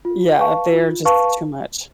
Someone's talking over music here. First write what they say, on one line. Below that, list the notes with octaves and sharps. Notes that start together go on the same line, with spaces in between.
Yeah. They're just too much.
F4
B4 F5 A5 C#6
F4
B4 F5 A5 C#6